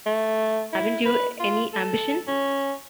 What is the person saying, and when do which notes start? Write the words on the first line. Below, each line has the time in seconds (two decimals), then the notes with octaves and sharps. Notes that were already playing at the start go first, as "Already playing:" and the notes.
Haven't you any ambition?
0.06 A3
0.72 E4
1.05 B4
1.39 F4
1.73 A4
2.27 C#4